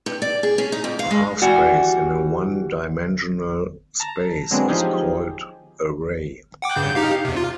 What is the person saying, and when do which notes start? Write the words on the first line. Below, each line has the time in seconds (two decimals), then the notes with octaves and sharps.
A half-space in a one-dimensional space is called a ray.
0.06 G2
0.22 D5
0.43 G#4
0.58 C#4
0.72 D#4
0.84 F2
0.99 F5
1.11 G#3
1.42 E3 G3 F#4
4.00 A5 A#5
4.51 D3 F#3 G#3 B3 C4 D4
4.68 F3 D#4 G4 G#4
6.62 F#5 G5 D6
6.76 G2 C#3 G6
6.95 D#4 G4 F5
7.25 E2 C3
7.37 F4